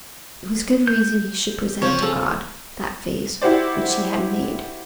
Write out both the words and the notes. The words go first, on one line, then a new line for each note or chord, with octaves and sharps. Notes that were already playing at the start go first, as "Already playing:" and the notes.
It was good reason he should present to God that face which he had made.
G6
C#3 F3 C4 C#5
G#4 A4
E4 F#4 G4 C5 D5